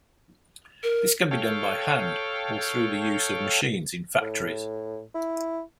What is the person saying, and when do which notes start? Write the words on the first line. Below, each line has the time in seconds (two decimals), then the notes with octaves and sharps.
This can be done by hand or through the use of machines in factories.
0.83 A#4
1.31 A4 C#5 F5 G5
4.21 A2
5.15 E4